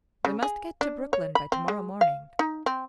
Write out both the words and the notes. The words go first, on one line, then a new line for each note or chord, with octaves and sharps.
"We must get to Brooklyn by tomorrow morning."
C#3
G#4
D4
C#5
B5
C4
G#3
F5
D#4
C4